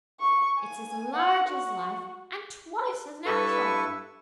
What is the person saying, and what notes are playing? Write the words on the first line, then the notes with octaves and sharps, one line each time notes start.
It's as large as life, and twice as natural!'
C#6
G#5
F#5
F#4
G2 E4 A4 B4 C#6 E6